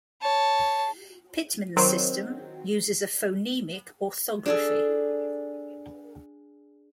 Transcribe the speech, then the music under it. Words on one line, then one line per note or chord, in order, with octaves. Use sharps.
Pitman's system uses a phonemic orthography.
C#5 A5
D#3 F#3 C4
D4 G#4 A4